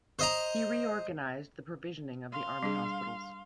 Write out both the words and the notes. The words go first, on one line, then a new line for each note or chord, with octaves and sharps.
He reorganized the provisioning of the army hospitals.
C5 D#5 A#5
F5 C6
G3 D4 G#4